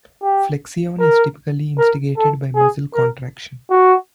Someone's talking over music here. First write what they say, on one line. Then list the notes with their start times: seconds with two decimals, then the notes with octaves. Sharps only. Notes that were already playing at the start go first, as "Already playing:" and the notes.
Flexion is typically instigated by muscle contraction.
0.22 G4
1.00 A#4
1.78 A#4
2.17 A4
2.56 G#4
2.94 A#4
3.70 F#4